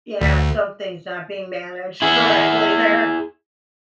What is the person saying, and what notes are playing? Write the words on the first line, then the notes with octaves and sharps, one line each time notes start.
Yeah, something's not being managed correctly there.
D2
E4 G#4